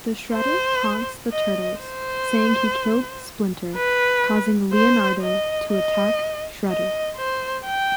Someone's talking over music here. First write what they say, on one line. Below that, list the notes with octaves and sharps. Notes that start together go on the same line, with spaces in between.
The Shredder taunts the Turtles, saying he killed Splinter, causing Leonardo to attack Shredder.
C5
D#5
C5
B4
C5
D#5
D#5
D#5
C5
G5